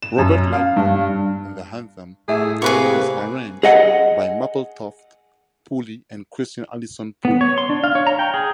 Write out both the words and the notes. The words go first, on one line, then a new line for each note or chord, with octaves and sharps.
Robert Lightbourne, and the anthem was arranged by Mapletoft Poulle and Christine Alison Poulle.
E7
F#2
F5
G2
A2 A3 G#4 E5
C3 A#3 G#4 B4 C#6
G#4 D#5 F#5
B3
C#5
C6
D4
F5
C#5
A#5
G5
G#4